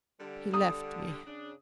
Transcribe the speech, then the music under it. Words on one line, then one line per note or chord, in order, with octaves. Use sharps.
He left me.
D3 G3
D#6
C#3 D4